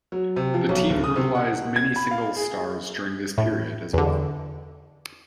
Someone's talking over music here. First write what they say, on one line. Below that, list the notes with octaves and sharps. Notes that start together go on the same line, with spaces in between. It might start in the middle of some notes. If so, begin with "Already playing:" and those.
The team brutalized many singles stars during this period as well.
F#3
C3
F3
B1
D1
D#6
C3
F#5
G#6
B5
F5
G#4
A2
E2 D3